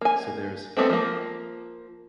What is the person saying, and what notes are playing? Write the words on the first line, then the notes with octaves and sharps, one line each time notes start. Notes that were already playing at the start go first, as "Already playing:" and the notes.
So there's
A#3 G#5
G#3 A3 B3 C4
F3 A#3